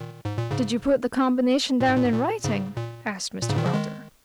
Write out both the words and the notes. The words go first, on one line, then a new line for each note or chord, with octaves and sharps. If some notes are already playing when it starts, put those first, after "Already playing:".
"Did you put the combination down in writing?" asked Mr. Wilder.
Already playing: A#2 D#3
G#2
A#2
G#2 C#3
A#2
G#2
A#2
G#2
A#2
G#2 C#3
A#2
A#2
G#2 C#3
A#2 D#3
C#3 F3
D#3 G#3